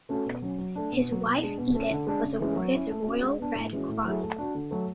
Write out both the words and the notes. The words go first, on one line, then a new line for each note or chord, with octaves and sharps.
His wife Edith was awarded the Royal Red Cross.
A3 C#4 F#4 A4
B2
F#3 C#4
F#3
A3 D4
B2
F#3 B3
B2
G#3 D4
B2
A3 C#4
D3
G#3 D4
C#3
E3 G#3 C#4
F#3
C#4 E4
A3
C#4 F#4
G#3
B3 D4
A2
E3 G#3 C#4 F#4
A2
F#3 A3 E4 G#4
A3
D4 F#4
D3
F#3 A3